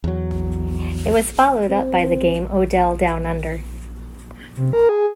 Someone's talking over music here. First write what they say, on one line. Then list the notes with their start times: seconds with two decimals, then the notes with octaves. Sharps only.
It was followed up by the game "Odell Down Under".
0.04 E2 F#3
1.69 C4
4.57 C3
4.73 A#4
4.89 G#4